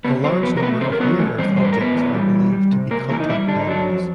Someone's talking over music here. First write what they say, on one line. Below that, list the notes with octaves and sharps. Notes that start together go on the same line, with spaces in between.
A large number of near-Earth objects are believed to be contact-binaries.
C#3 B3 B4
F#3 C4 C5
F2 B3 B4
A#4
A3 B3 B4
C#3 C4 C5
A#4
F#3 B3 B4
E3 A3 A4
G3 C4 C5
G#2 C5
B4
A#4
G#2 B3 B4
E3
G3
E3
G3
C3
C3 A#3 A#4
E3 A#3 A#4
D#4
E3 G3 E4
D3 D4
D#4
D3 F#3 D4
F2